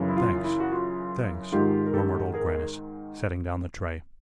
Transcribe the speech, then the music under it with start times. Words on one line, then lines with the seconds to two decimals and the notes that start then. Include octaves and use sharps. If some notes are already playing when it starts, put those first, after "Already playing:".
"Thanks, thanks," murmured Old Grannis, setting down the tray.
Already playing: F#2 C#3 E3
0.08 E4
0.17 F4
0.45 E4
0.60 F#4
0.72 F4
1.52 G#2 D#3 G#3 F4 G4
1.86 A#4
1.94 G4 A4
2.34 G#4 A#4